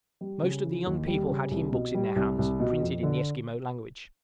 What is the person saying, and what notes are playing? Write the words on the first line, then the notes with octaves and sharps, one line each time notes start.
Most of the young people had hymn-books in their hands, printed in the Esquimaux language.
G3
C#3
E3
D#2
G3
C#3
C2
B2
G3
C2
C2
B2
F2
D3